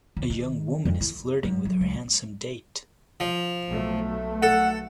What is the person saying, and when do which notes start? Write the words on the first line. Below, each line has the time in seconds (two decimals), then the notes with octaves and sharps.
A young woman is flirting with her handsome date.
0.17 D#2
0.30 D#3
0.85 F2
1.01 E4
1.43 F#2
1.65 F#3
1.81 C#2
3.20 F3
3.70 B1 F#3 A3
4.43 A4 F#5